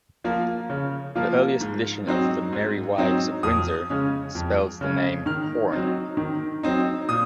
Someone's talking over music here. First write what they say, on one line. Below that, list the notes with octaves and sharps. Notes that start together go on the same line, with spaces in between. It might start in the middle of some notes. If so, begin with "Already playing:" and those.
The earliest edition of "The Merry Wives of Windsor" spells the name "Horne".
F3 A#3 F4
C#3
F3 A#3 F4
G#2
F#3 C4 D#4
G#2
F#3 C4 D#4
F2 D#6
C#3 G#3 C#4
F2
C#3 G#3 C#4
D#3 F6
F#3 C4 D#4
D#3
F#3 C4 D#4
A#2 D#6